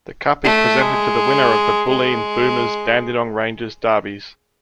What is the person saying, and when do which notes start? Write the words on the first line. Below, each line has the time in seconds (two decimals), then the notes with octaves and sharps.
The cup is presented to the winner of the Bulleen Boomers-Dandenong Rangers derbies.
0.44 A3
0.81 G#3
1.89 G#3